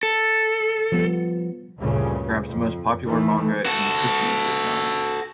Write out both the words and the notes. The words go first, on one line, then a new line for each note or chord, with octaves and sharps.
Perhaps the most popular manga in "Cookie" is "Nana".
A4
F3 G3 B3
D2 G2 A#2 C#3
F2
D#3 E3 A3
F#4 A4